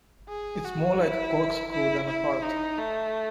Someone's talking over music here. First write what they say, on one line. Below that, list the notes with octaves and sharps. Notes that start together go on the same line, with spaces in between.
It’s more like a corkscrew than a path!
G#4
F#4
E4
E4
E4
D#4
A3